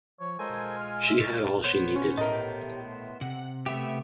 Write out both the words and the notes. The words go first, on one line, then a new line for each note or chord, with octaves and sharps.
She had all she needed.
F3 C#5
G#3 F4 A4 A#4 C5 G#5
F6
E5
C#4 A6
B3 C5 C#5
C#4
A2 G4 A#4 D#5 A5
C3 F#5
A3 B3 G4 E5